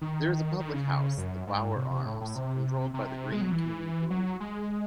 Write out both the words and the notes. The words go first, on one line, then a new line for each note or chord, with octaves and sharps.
There is a public house, the Bowyer Arms, controlled by Greene King Brewery.
D#3
D#3
C#3
F#2
G#2
C3
C3
A2
A2
C3
C3
G#3
F#3
E3
F#3
G#3